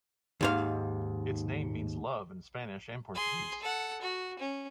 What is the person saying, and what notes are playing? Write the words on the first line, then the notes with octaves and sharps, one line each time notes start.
Its name means "love" in Spanish and Portuguese.
D#2 G#2 F5
G#4 C6
A4 F#5
F#4
C#4